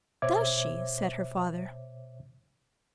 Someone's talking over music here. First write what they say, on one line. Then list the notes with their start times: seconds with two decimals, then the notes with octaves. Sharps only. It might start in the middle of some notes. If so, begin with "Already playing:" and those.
'Does she?' said her father.
0.22 B2 C5 C#5 E5 D6 G#6